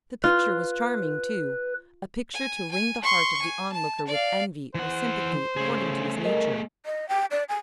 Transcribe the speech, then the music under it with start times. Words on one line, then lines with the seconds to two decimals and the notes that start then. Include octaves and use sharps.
The picture was charming, too--a picture to wring the heart of the onlooker with envy, or sympathy, according to his nature.
0.24 F4 B4
2.34 G#5
2.71 G#5
3.03 C6 C#6
3.41 G#5
3.72 A5
4.08 D5 F5
4.75 E3 C5 F#5
5.57 C#3 A3 G#4
6.25 A#4 D#5
6.86 D#5
7.09 G5
7.31 D5
7.49 G#5